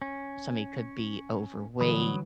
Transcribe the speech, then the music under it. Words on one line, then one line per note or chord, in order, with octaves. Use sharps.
Somebody could be overweight.
C#4
D3 E3 F#3 G3 B5 D#6